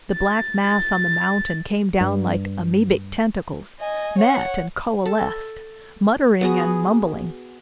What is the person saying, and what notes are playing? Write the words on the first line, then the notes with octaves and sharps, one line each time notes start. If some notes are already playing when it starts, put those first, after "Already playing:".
The black mass on the mountain came down like amoebic tentacles, met and coalesced, muttering and mumbling.
A6
A6
G2
D#5 G#5
C#5 F#5
A4
B3 F#4 G#4